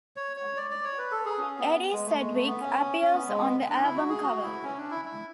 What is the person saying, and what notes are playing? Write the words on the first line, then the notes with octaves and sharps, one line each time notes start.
Edie Sedgwick appears on the album cover.
C#5
C#5
D5
D5
C#5
B4
A4
G#4
C#4
B3
G#3
A3
G#3
A3
B3
C#4
C#4
B3
G#3
B3
D4
E4
F#4
G#4
F#4
E4
C#4
D4
E4
E4